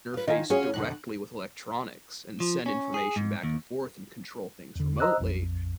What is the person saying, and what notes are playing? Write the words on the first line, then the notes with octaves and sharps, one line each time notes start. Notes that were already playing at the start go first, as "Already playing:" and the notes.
interface directly with electronics and send information back and forth and control things remotely.
F4 B4
D#3 D#4 F4 G#5
C#4 F4 F#4 G#4 C#5
F2 B2 D3 F#6
F3
C#4
G#4
G#2
D#2
E2 D3
C5 D#5 A#5 E6 F#6
A#1 F2